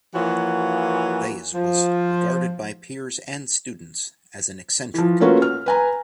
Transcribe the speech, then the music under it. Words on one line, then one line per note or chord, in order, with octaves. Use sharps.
Vaze was regarded by peers and students as an eccentric.
E3 F3 A#3 F#4 C#5
F3
E3 F3
A3 A#3 C#4 F4 F#4 B4
F6
B4 G#5 A#5